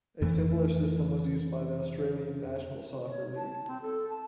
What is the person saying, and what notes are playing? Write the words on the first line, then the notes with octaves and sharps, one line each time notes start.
A similar system was used by the Australian National Soccer League.
F2 E3 A3
C#5
A5
C4
A4
A5